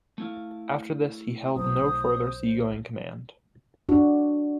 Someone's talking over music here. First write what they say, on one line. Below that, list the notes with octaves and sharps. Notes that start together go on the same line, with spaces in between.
After this he held no further seagoing command.
A3 E4 F5
B1 C5 D#6
D4 F#4